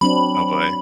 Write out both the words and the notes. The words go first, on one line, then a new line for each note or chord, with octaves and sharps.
Oh, boy.
F#3 C4 D4 B5